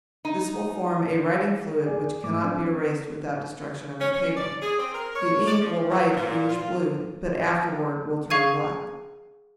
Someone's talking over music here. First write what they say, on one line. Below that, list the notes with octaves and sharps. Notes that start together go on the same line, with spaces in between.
This will form a writing fluid which cannot be erased without destruction of the paper. The ink will write greenish blue, but afterward will turn black.
D#4
G#4 D5 G#5
G#2 A3 D6
F3 C4 D4 C5
C4
C#4
C#4
D5
G#4
C4
A#4
C#5
D5
F3
A#2
A#2
F4
G#4 F5 C#6 G#6 D#7